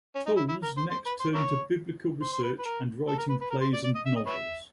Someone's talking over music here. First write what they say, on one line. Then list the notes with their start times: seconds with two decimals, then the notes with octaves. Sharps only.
Towles next turned to biblical research and writing plays and novels.
0.15 C#4
0.26 D#4
0.37 E4
0.49 E4
0.63 A#4
0.77 C5
0.91 C5
1.06 B4
1.20 C5
1.35 E4 A#4 C#5
2.22 C5
2.33 C5
2.43 B4
2.58 B4
2.65 A#4
3.08 A4
3.18 A#4
3.30 B4
3.41 B4
3.50 A#4
3.61 C5
3.73 D5
3.84 D5
3.95 D#5
4.06 E5
4.16 D#5
4.26 B4 C#5 E5